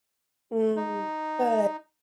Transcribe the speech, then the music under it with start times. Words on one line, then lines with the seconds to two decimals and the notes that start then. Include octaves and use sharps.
Mm. Good
0.76 D#4